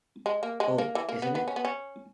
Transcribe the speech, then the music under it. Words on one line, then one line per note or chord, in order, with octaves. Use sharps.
Oh, isn't it!
G#3
A#3
G#3
A#3
E3
A#3
B3
B3
C#4
B3
C#4